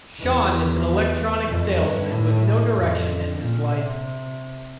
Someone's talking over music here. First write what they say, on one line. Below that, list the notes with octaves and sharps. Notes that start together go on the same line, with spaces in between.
Shaun is an electronics salesman with no direction in his life.
E2
F2
G2
A2
F2
A#2
C3